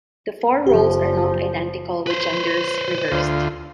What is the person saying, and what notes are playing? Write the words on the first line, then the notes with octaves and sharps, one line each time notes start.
The four roles are not identical with genders reversed.
F#1 F3 G4
B4 C5
D2 F4